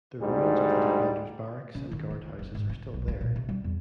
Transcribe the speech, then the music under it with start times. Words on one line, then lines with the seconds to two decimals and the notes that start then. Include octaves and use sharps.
The ruins of the defenders' barracks and guardhouses are still there.
0.21 D2 G#2 G3
1.75 C#3
1.91 D#3
2.10 C#2
2.39 F#1
2.55 G#2
2.69 C3
2.94 B1
3.08 A#3
3.21 A#2
3.36 C3
3.49 G3
3.64 E2